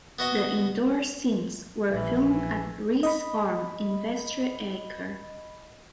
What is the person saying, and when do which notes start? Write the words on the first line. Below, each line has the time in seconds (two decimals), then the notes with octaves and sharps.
The indoor scenes were filmed at Riis farm in Vestre Aker.
0.19 B3 F#4 D#5
1.90 A#1 E3
3.03 D#5 B5